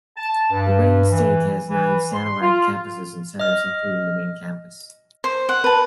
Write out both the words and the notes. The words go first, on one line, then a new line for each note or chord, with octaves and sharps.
Roane State has nine satellite campuses and centers, including the main campus.
A5
G2
E3
E3
C6
F4
D#5 F6
C5
F#5
B4 A5